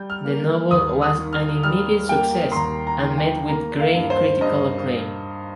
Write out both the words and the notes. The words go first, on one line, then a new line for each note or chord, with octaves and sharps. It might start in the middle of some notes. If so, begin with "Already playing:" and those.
The novel was an immediate success and met with great critical acclaim.
Already playing: G3 G6
F6
A#3
D#2 D#6
D#6
D#3
F6
G3 F6
A#3 G5
C6
D#2 A#5
A#5
D#3
G5
A#3 A#5
F5
G2
C5
G2 D#5